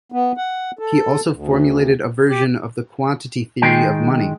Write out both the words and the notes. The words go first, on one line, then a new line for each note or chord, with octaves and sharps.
He also formulated a version of the quantity theory of money.
B3
F#5
A4
D2
G4
D#3 G#3 G5